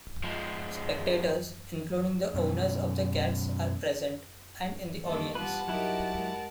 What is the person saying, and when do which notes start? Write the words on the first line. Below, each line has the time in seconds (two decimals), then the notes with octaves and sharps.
Spectators, including the owners of the cats are present and in the audience.
0.24 F3 G#3
2.35 F#2 B2
5.05 D#3 G3 A#3 A4
5.35 G3 B3 F4 B4 F#5 A5
5.68 F#3 D#4 E4 G4 A#4
6.14 G#3 A#4